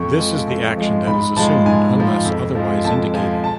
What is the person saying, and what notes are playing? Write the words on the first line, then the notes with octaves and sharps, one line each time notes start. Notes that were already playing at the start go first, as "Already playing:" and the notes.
This is the action that is assumed unless otherwise indicated.
Already playing: F2 C#6
F3 G#3
F2
F3 G#3
G#2 B5
F3 G#3 A5
G#2 G#5
F3 G#3
F2
F3 G#3
F2 A5
F3 G#3 G#5
A5